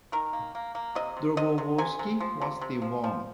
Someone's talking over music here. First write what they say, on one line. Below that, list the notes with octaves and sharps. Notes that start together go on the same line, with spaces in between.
Dobrovolsky was still warm.
D#3 A#4
A#3
A#3
A#3
C3 D#5
C3
C3 D#5
C3
C3 G#5
C3
F3
C3
C3
F3
F3